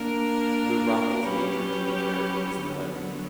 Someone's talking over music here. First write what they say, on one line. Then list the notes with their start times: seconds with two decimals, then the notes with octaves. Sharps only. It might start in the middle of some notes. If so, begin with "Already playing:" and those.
The Rye's major tributary is the Lyreen.
Already playing: A#3 D4 A#4
1.23 F#3 C#4 G4 B4
2.58 D3 F#3 B3